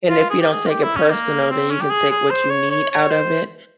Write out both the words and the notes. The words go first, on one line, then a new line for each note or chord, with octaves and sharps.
and if you don't take it personal, then you can take what you need out of it,
F4
G#4
G4
G#4
F4
G4
E4
C#4
A#3
C4
C#4
G4
G#4
G#4
C5
C#5
C#5
C#5
C5